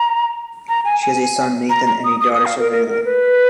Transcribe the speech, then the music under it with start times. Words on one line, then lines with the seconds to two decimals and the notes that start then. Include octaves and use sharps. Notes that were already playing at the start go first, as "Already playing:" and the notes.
She has a son, Nathan, and a daughter, Savannah.
Already playing: A#5
0.69 A#5
0.85 G#5
1.02 G#5
1.69 A#5
1.87 A#5
2.04 D#6
2.20 D#6
2.34 D#6
2.45 F5
2.59 A#4
2.72 A#4
2.89 A#4
3.05 B4